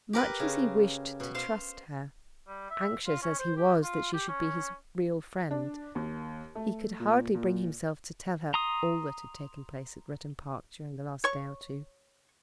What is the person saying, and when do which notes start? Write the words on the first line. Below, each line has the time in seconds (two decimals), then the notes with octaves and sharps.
Much as he wished to trust her, anxious as he was that she should be his real friend he could hardly bring himself to tell her all that had taken place at Rudham Park during the last day or two.
0.13 G4 A#4 B4
0.40 C#3
1.20 B2
1.35 C5 F5
2.47 G3
2.70 E5
3.07 F4
3.22 C#4
3.39 C5
3.57 G4
3.83 F4
4.13 G4
4.28 C#4
5.51 D4
5.95 D#2
6.55 A3
7.00 A#2
7.35 A#2
8.54 A#5 C6 D#6
11.24 C#5 C#6